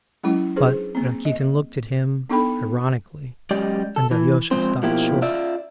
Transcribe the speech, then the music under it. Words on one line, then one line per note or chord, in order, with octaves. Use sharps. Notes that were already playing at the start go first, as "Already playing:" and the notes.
But Rakitin looked at him ironically and Alyosha stopped short.
F#3 G#3 C#4 E4
D4 G#4 B4 C5
A#3 C4
D#5
B3 D4 D#4 A4 G5 B5
F#2 G#3 G4 D5 D#5
A4
E3
F3 G#3 C4 C5
B2 F3 A#3 E4 G4
F4 D5 E5